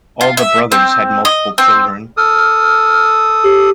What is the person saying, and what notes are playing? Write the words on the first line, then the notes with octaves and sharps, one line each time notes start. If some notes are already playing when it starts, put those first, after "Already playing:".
All the brothers had multiple children.
F4
E5
C4
D#5
C4
A4 D#6 F6
G4